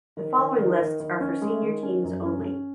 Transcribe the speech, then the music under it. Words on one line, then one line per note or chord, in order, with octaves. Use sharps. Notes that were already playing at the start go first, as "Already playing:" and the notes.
The following lists are for senior teams only.
D#3
D#3
D#3
D#3
D#3
C#4
G#3
D#3
C#4
F#2
C#4
C#4